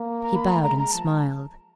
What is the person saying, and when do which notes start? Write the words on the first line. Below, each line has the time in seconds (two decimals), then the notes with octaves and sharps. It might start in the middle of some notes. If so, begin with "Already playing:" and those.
He bowed and smiled.
Already playing: A#3
0.22 A#5
0.35 B5
0.50 A3 A#5
0.63 G#3 A#5
0.78 A#5
0.92 F3 A5